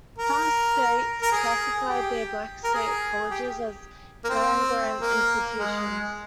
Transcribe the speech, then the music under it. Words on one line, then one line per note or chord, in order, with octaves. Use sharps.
Some states classified their black state colleges as land grant institutions.
A#4
A#4
G#4
G4
A#4
G#4
G4
A#3
C4
A#3
G#3